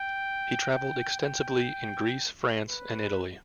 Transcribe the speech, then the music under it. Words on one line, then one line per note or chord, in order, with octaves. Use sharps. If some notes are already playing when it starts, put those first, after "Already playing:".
He travelled extensively in Greece, France and Italy.
Already playing: G5
G5
G5
B4